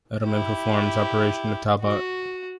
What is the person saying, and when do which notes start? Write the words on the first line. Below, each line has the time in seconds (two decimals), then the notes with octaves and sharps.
Edelmann performs the operation on Talbot.
0.25 E4 G4
1.81 F#4